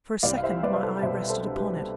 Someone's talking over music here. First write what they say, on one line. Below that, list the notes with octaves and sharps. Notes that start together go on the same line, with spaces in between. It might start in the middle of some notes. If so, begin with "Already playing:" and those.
For a second my eye rested upon it.
C2 D5 F5
F5
C5 E5
G3 B4 D5
D5
A4 C5
B2 C5 E5
A4 C5
D4 C5
G4 B4